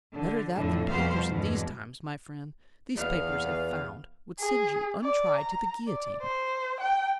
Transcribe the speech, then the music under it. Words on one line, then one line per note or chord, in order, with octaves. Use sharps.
"Better that than papers in these times, my friend: these papers, if found, would send you, untried, to the guillotine."
D3
F2 A2 D3
F2 B2 G3 B3 C5 F5
E2 G2 B2 E3 G#3
E2 B3 F5
G#4
D5
A#5
D5
C5
G5